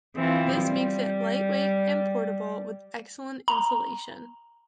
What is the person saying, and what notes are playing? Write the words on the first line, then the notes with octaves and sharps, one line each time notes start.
This makes it lightweight and portable with excellent insulation.
E3 C4 F4
G3
A#5